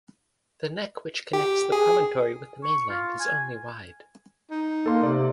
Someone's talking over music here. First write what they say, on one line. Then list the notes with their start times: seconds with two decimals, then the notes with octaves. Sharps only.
The neck which connects the promontory with the mainland is only wide.
1.33 G4
1.72 G#4
2.63 C#6
2.89 F4
3.20 G#5
4.51 D#4
4.86 A#3 A4 A#4 C6
5.03 C3 D5